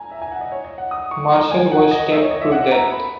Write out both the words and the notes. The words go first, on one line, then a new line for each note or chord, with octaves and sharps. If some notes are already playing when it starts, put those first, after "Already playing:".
Marshal, was stabbed to death.
Already playing: G#5 A#5
E5
G#5
F#5
D#5
C#5
D#5
F#5
D#6
C#6
A#5
G#5
F#5
D#5
E5
C#5
D#5
E5
F#5
A#5
B5